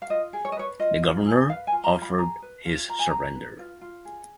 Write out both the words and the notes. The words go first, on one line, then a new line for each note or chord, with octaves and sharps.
The governor offered his surrender.
F5
F4 D#5
G#4
C#5
D#5
B4 C#5
F4 D#5
F4
G#4
B4 F5
G#5
F4
A#5
F4
B5
G#4 A#5
B4
F4
F4 A#5
G#5
G#4 A#5
B4
F4
F4
G#4